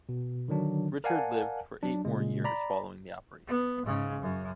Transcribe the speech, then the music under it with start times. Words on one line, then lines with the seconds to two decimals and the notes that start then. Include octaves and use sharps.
Richard lived for eight more years, following the operation.
0.09 B2
0.48 D3 D#3 F#3 D4
1.04 A#4 D5 F5 F#5 G#5 A5
1.83 F#3 D4
2.05 A#2 C#3 G#3
2.45 D5 A#5 B5
3.47 B3
3.85 G#2 C#3
4.22 F#2